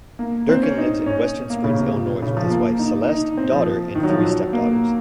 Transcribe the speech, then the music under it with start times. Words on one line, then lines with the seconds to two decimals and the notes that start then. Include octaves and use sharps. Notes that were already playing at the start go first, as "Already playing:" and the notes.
Durkin lives in Western Springs, Illinois with his wife Celeste, daughter and three step-daughters.
0.19 A#3
0.49 C4
0.63 C#4
0.78 D#4
1.06 C#4
1.50 A#3
1.64 C#3
1.78 C3
1.94 A#2
2.22 C#3
2.37 F3
2.50 A#3
2.79 D#4
3.08 D#4
3.37 C4
3.52 F3
3.95 D#3
4.03 F#3
4.09 F3
4.24 F#3
4.53 A#3